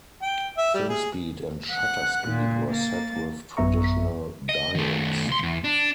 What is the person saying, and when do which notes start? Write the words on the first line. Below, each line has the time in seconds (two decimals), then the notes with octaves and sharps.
Film speed and shutter speed were set with traditional dials.
0.22 G5
0.58 E5
0.74 G3
0.89 G#4
1.72 F#5 F#6
2.26 A#2
2.71 A#3 A6
3.57 A1 F#2 B3 E5 A#5 C#6
4.49 D#5
4.75 D#3 A3
5.28 C#2 C6
5.43 E2
5.64 D4